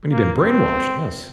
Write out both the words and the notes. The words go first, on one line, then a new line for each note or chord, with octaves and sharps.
I mean you've been brainwashed, yes.
A#3
C4